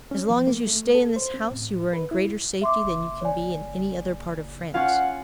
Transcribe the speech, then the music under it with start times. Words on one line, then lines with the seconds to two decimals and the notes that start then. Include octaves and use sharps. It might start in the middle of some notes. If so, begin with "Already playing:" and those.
As long as you stay in this house you are in greater safety than you can be in any other part of France.
0.11 C#4
0.30 F3
0.47 A#3
0.67 A3
0.95 A4
1.16 C5
1.34 C4
1.51 A2
1.93 B4
2.11 E4
2.62 E5 C6 D6
2.84 F#1
3.21 C#5 D5 G#5
4.74 C#4 F4 F5 F#5